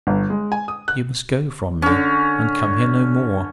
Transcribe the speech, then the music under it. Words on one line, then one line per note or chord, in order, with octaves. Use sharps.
You must go from me, and come here no more.
G1
G#3
G#5
D#6
F#6
D3 C#4